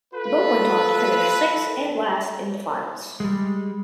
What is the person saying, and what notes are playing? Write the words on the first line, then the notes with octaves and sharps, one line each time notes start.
The boat went on to finish sixth and last in the finals.
F4 A4 B4
G3 G#3